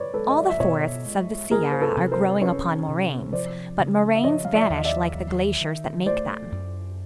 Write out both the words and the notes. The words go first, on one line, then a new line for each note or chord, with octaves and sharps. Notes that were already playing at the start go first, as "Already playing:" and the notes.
All the forests of the Sierra are growing upon moraines, but moraines vanish like the glaciers that make them.
Already playing: B4 C#5 D5
G#3 A4 B4
D#5
D5 E5
E5
B2 C#5 D#5
G#3
A#3 G#4 A#4
C5
A4 B4
C3
A#4 C5
C#4 B4 C#5
C3
F3 C5 D5
C#3
E5
F3 C#5 D#5
F5
D5 E5
D#2
D#5
D5 E5
F#3
D#3
A3 C5 D5
F#2